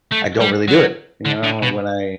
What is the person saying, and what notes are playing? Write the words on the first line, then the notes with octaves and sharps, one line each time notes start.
I don't really do it, you know, when I
A3
G3
F#3
D3
D3
B2